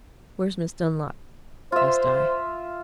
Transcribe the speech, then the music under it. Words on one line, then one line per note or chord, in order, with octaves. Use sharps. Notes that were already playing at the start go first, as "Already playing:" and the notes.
"Where's Miss Dunlop?" asked I.
F4 C5 E5